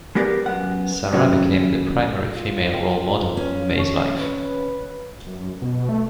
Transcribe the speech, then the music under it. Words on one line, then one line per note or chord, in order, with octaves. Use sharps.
Sarah became the primary female role model in Mays' life.
G#3 B3 G4 A#4 D5
F#2 B3 F#5
D#2 C#3 F#3 B3 C#4
F4
G5
C#4 B4
D#3 C4 C#6
B4
F#2
B2
A3